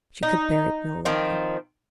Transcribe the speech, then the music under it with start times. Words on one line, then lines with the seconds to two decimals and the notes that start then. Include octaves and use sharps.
She could bear it no longer.
0.23 D#4
1.05 D#3 F3 C4